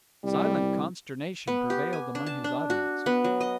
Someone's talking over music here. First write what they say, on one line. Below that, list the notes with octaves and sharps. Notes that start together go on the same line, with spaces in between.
Silent consternation prevailed among his audience.
C2 G3
B3
G4
G#5
D4
A5
D4
F#4
B3
F#3
D#5